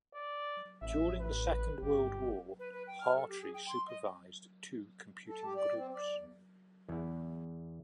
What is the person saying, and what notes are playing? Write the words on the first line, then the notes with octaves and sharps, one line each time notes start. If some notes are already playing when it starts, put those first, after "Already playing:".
During the Second World War Hartree supervised two computing groups.
D5
A1 E5
B4
G1 G4
B4
B4
G5
F6
A4
G4
G#4
G5
C6
D#5
A4
G4
D5
C4
D5
E2
E2 E4